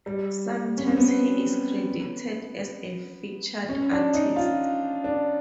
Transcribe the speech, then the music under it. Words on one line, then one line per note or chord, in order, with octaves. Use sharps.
Sometimes he is credited as a featured artist.
G3
C#4
C4
B3
C#4
D4
D#4
F4
D4